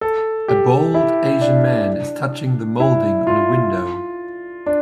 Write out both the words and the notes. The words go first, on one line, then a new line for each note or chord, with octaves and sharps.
A bald Asian man is touching the molding on a window.
A4
G4
E4
D4
E4
F4
D4